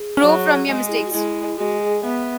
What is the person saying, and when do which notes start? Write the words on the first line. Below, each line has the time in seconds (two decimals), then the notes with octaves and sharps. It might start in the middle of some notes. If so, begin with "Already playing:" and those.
You grow from your mistakes.
Already playing: G#4
0.22 F#3
0.67 G#3 G#4
0.90 E4
1.06 F#4
1.12 G#3 E4
1.58 G#3 F#4
1.81 G#4
2.03 B3 E5